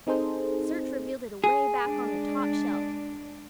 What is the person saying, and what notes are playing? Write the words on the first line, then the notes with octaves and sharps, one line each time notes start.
Search revealed it away back on the top shelf.
C4 D#4 G#4 A4 C5
G#4
G#3 D4